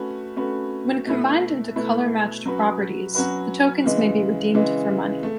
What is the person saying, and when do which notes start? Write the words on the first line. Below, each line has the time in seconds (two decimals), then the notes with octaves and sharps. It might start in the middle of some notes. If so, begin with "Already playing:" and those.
When combined into color-matched properties, the tokens may be redeemed for money.
Already playing: A3 C#4 F#4 B4
0.36 A3 C#4 F#4 B4
1.06 B2 A3 E4 B4
1.76 B2 A3 E4 B4
2.46 F#3 C#4 F#4 B4
3.15 F#3 C#4 F#4 B4
3.84 C#3 E3 G#3
4.54 C#3 E3 G#3
5.23 A3